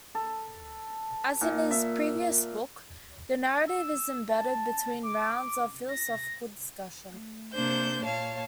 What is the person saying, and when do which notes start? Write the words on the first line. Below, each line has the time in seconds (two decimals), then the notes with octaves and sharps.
As in his previous book, the narrative is embedded between rounds of philosophical discussion.
0.15 A4
1.41 A#2
1.71 E5
3.67 E6
4.29 A5
5.03 D6
5.88 A#6
7.10 A3
7.54 C3 A#3 D4 C5 G6
8.04 A#2 C#5 F5 A5